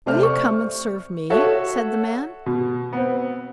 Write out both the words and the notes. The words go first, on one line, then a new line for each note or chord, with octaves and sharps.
'Will you come and serve me?' said the man.
C3 A3 C5 D5 F6
C5 C#6
F#4 A4 C#5 E5
B2
B3 C4